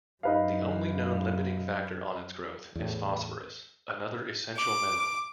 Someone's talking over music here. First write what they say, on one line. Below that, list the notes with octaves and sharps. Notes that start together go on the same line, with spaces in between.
The only known limiting factor on its growth is phosphorus, another essential mineral.
F#2 D#4 B4 F5
E2 A2
D6